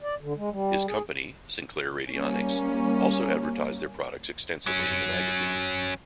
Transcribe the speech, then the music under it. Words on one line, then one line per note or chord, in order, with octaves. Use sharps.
His company, Sinclair Radionics, also advertised their products extensively in the magazine.
D5
D3
G#3
G3
G#4
G3 A#3 C#4
F#3 C#4